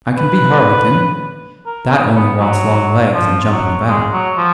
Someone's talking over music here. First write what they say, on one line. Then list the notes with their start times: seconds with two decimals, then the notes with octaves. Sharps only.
I can be harlequin, that only wants long legs and jumping about.
0.17 B4
1.66 A#4
1.91 D#4
2.15 B3
2.40 F#3
3.14 F3
3.50 F#3
3.88 G#3
4.13 F#3
4.37 F3